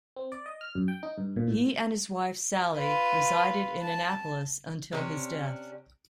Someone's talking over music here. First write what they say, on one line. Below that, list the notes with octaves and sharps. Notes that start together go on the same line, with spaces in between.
He and his wife, Sally, resided in Annapolis until his death.
C4
D5
D#5
F6
F#2
G5
D#4
G2
A#2
A2
F4 B4
A5
C3 C#4 D4